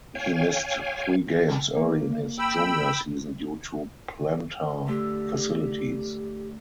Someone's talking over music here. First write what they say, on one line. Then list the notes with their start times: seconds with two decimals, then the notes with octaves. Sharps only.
He missed three games early in his junior season due to plantar fasciitis.
0.15 C#5 F5 G5 G#5
1.77 A#3
2.39 G5 B5 E6
4.88 D3 A3 G4